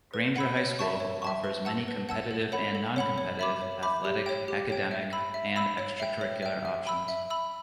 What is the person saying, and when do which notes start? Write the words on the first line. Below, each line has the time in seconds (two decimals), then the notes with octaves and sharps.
Granger High School offers many competitive and non-competitive athletic, academic, and extra-curricular options.
0.14 B4
0.36 F#5 B5 E6
0.57 C#5
0.79 E5 A5 C#6
1.00 C#5
1.22 E5 A5 C#6
1.44 B4
1.65 F#5 A5 E6
1.88 B4
2.09 F#5 A5 E6
2.31 A4
2.52 C#5 F#5 B5
2.75 A4
2.96 C#5 F#5 B5
3.18 C#5
3.39 E5 B5 D6
3.61 C#5
3.83 E5 B5 D6
4.05 G4
4.26 C#5 G5
4.48 G4
4.70 C#5 G5
4.91 E5
5.13 B5 E6
5.34 E5
5.56 B5 E6
5.78 C#5
6.00 E5 G5
6.21 C#5
6.42 E5 G5
6.65 E5
6.87 B5 E6
7.08 E5
7.30 B5 E6